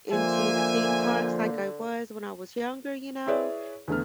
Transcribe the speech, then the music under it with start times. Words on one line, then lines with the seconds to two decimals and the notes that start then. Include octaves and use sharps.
into the theme parks, like I was when I was younger, you know?
0.12 D3 F3 A#3 C5 E5 G#5
3.27 E4 G#4 B4 C#5 D5 E5
3.88 E2 D3 A3 B3 F6